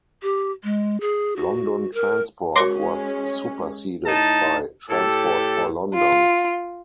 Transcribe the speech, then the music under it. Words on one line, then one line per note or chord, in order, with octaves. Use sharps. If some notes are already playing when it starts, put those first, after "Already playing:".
London Transport was superseded by Transport for London.
G4
G#3
G#4
F#4
A#4
G#3 C#4 F#4 A#4 C#5 C6 D6 A#6
A2 D#4 A5
A2 G4 A4
F4